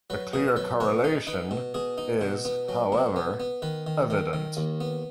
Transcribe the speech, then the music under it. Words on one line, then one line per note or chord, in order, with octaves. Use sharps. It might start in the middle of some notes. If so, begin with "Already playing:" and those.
A clear correlation is, however, evident.
F#3 B4
B2 G#4
F#3 B4
B2 C#5
D#4
D#4 B4
B2
B2 G#4
D#4
B2
B3
F#3
B2
B3
B3
D#3 B4
D#3
D#3
D#3
D#2
B3